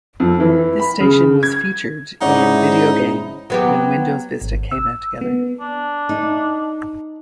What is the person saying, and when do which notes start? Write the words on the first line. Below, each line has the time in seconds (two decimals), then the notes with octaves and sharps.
This station was 'featured' in video game, when Windows Vista came out together.
0.20 F2
0.40 E3
0.80 B5
1.00 C#3
1.43 G#6
2.21 G#2 C#4 D#4 E4 C#5 D5 F#5
3.50 F#3 B3 G4
4.41 G#1
4.71 E6
5.21 B3
5.60 D4
6.09 D#4